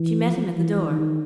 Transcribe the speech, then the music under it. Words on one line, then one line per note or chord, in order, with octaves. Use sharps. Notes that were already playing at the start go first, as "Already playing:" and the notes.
She met him at the door.
Already playing: E3
F3
E3
D#3